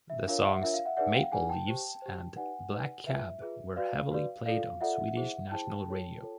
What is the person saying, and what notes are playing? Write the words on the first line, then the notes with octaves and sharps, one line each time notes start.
The songs "Maple Leaves" and "Black Cab" were heavily played on Swedish national radio.
E5
D4 F4 A#4 C#5 F5
E5 F#5
D4 F4 A#4 C#5 E5
F5
E5 F#5
D#4 G#4 B4 D5 E5 F#5
F#5
F5 G5
D#4 G#4 B4 D5 F#5 G#5
G5 A5
G4 C5
G4 C5
D#4 G4 B4 D5 F#5 G#5
D#4 G4 B4 D5
F4 G#4 B4 E5
F4 G#4 B4
F#4 B4 D5 F5
F#4 B4 D5
F4 A4 D5 F5
F4 A4 D5 E5 F#5
E4 G#4 C5
E4 G#4 C5 G5 A5
F4 A4 C#5
F4 A4 C#5